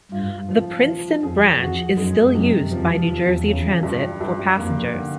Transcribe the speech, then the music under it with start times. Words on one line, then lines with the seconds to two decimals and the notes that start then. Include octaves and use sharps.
The Princeton Branch is still used by New Jersey Transit for passengers.
0.11 G2 F4
0.49 F3
0.86 F3
1.23 F2 G#4
1.60 F2 F#4
1.97 F#2 G#3
2.35 F#2 C3
2.71 F2 F3
3.09 E2 F3
3.46 C#3
3.83 G2
4.21 G2
4.57 F2 A#3
4.94 D3